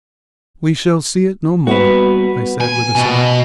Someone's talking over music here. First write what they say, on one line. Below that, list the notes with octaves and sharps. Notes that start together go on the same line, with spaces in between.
"We shall see it no more," I said, with a sigh.
G3 A#3 B3 F#4 B4
G#5
B2